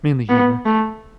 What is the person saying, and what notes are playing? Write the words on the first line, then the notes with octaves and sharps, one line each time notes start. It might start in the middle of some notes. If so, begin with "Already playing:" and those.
mainly humor.
B3
A3